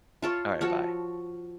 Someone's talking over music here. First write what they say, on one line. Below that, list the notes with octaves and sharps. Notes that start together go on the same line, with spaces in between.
Alright, bye.
F4 A4 C#5
F3 F#4 A4 C#5